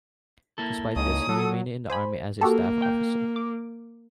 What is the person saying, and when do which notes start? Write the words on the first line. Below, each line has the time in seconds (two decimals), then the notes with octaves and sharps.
Despite this, he remained in the army as a staff officer.
0.58 A#3 E4 A4
0.96 C#2 D#4 G#4 C#5 D#6
1.29 F#3 A4
1.90 C5 G#5 B5
2.41 A#3 F#4 G4 A4
2.82 G5
3.36 D6